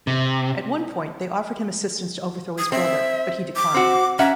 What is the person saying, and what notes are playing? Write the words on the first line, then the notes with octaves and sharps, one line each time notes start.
At one point, they offered him assistance to overthrow his brother, but he declined.
C3
D#6
C4 E5
D6
C4 F#4
C#4 E5 F#5 A#5